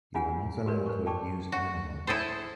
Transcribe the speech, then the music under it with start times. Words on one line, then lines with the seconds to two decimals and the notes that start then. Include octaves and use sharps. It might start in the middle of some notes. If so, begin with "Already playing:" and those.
You are not allowed to abuse animals.
0.14 C#4 E4 F4 G#4 F#5 G#5
0.66 F#4 G4 A#4 B4 C#5 D5
0.86 B4 C5 C#6
1.06 D5 G5 A5 C#6 D6
1.52 F#4
2.07 E4 G#4 A4 C5